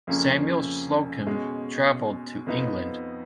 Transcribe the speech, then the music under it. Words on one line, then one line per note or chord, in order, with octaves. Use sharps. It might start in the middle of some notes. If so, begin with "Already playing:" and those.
Samuel Slocum traveled to England.
F2 C#3 F3 A#3 C#4
B2 G#3 C#4
F2 F3 B3 D#4